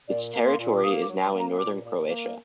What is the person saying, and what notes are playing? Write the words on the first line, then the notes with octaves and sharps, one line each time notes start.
Its territory is now in northern Croatia.
A#2 D5
A#3
C6
A#2
D6
A#3 D#6
D6
F#3
C6
A#3
A#5
A#2 D6
A#2
A#3